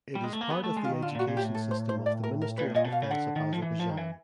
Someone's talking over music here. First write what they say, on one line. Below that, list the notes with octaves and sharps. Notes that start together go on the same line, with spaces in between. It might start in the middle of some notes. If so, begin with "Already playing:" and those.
It is part of the education system of the Ministry of Defense of Azerbaijan.
G3
G#3
A3
A#3
B3 G#4
A3
G#3
F4
D#3
D3 F4
A#2 F#4
A#2
G4
A2
A4
C5
C5
D5
A#4
A#4
A#2 B4
A2
A#2 D#5
B2
F5
C#3
D3 F#5
D#3
F3
E3
F3
D#3
E3